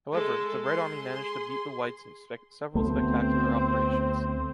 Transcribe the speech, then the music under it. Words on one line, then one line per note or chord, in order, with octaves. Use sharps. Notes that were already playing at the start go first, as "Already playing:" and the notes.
However, the Red Army managed to beat the Whites in several spectacular operations.
G#3 A4
G#4 C6
D2 A3 B3 C4 C5